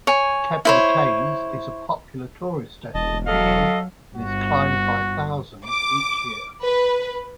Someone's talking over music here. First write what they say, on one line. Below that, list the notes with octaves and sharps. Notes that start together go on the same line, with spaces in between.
Kebnekaise is a popular tourist destination and is climbed by thousands each year.
C#5 G#5
E4 C5 C#5
E1 D#5 A5
F#3 A4 D#5 F5
G1 F#4
D6
B4